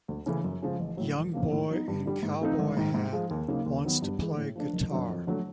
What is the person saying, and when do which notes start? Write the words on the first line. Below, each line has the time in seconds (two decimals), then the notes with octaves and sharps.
Young boy in cowboy hat wants to play guitar.
0.08 D2
0.26 C#3 E3 A3 C#4
0.44 F#2
0.62 C#3 F3 G#3 C#4
0.80 A1
0.97 A2 F#3
1.16 E1
1.33 E2 C#3 F3 A#3
1.51 A2
1.69 F#3 B3 D#4
1.88 G2
2.06 D3 G3
2.23 G#2
2.41 F3 A3 C4 D#4
2.59 G#1
2.77 G#2 D#3
2.94 G#2
3.13 F3 G#3
3.31 D#2
3.48 C#3 F#3 A#3 D#4
3.66 D#2
3.84 D#3 F#3 B3
4.02 G2
4.20 E3 G#3
4.38 A2
4.56 F3 A3 D4
4.73 F#1
4.91 F#2 D3 F#3
5.09 F2
5.27 D3 F#3 A3